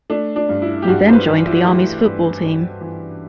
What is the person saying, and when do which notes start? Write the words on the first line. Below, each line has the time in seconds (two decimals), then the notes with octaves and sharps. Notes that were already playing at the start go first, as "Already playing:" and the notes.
He then joined the Army's football team.
0.10 A3 D4
0.36 D4
0.49 G2
0.62 E4
0.82 G4
0.88 G2 F#4
1.08 C5
1.13 B4
1.26 E3
1.47 E4
1.56 F#4
1.64 A3 G4
2.04 G2
2.41 G2
2.81 E3